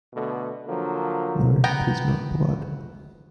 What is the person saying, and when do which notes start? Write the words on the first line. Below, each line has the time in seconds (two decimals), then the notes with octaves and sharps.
No, 'tis not blood.
0.14 B2 D3 A3
0.67 D3 F3 F#3 A#3
1.64 B3 G5 A#5